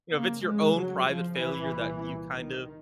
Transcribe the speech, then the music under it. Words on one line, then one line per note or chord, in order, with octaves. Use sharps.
you know, if it's your own private failure that you kind of
F2 C#3 A#3
G#3
F#3
F3
C2 A#2 E3
D#3